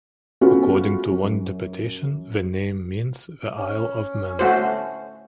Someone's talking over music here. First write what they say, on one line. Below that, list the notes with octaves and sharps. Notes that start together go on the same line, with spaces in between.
According to one interpretation the name means the Isle of Men.
A3 B3 C#4 F4 F#4 G#4
F#2
C#4
A3 F#4 C5